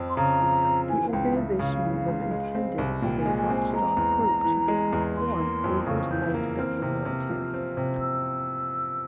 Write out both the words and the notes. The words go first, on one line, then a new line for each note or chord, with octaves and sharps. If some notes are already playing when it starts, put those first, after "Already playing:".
The organization was intended as a watchdog group to perform oversight of the military.
Already playing: F2 F3 C4
C6
C#3 A#5
F3
C4
E3 G#5
F5
C#2 G5
C#2 E5
C#3 F5
E3
C#2
G#3
C4
C2
A#2 G5
G#5
G#3
G#5
C4
G#5
G#3 A#5
E2
E2
E3
G#3
E2
E3 C6
A#3
F2
C#3 C#6
E3 G6
A#3
C4 F6
C3
C3
F3
C4
C3
E6